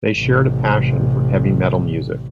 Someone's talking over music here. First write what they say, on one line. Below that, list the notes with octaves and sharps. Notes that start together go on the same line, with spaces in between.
They shared a passion for heavy metal music.
A1 C3